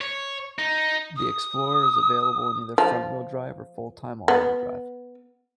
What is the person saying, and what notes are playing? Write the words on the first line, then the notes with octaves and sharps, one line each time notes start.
The Explorer is available in either front-wheel drive or full-time all-wheel drive.
C#5
D#4
D#6
F3
B3